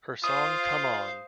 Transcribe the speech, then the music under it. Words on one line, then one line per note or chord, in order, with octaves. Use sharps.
Her song Come On!
F4 C5 F5 D#6